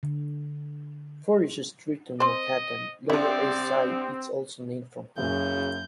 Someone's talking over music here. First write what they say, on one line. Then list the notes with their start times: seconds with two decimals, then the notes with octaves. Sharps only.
Forsyth Street on Manhattan's Lower East Side is also named for him.
0.03 D3
2.20 C4 C5 D#5
3.10 C2 C4 D4 E4 F4 D5
5.18 F#1 F#2 C#3 G6